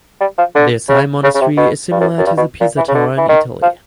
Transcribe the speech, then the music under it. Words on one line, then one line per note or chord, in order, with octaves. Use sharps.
This high monastery is similar to the Pisa Tower in Italy.
G3
F3
D3
C#3
C#3
C#3
C3
B2
G2
F#2
F#2
G2
B2
A#2
E3
C#3
D3
E3
D#3
F3